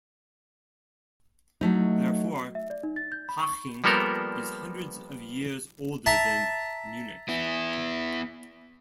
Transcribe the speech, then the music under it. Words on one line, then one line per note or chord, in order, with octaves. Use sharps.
Therefore, Haching is hundreds of years older than Munich.
F#3 A3 D#4
E5
D5
D#4
A6
G6
B5
C#6
F3 G3 A#3 B3 A4 A#4
E5 A5 A#5
B3 E4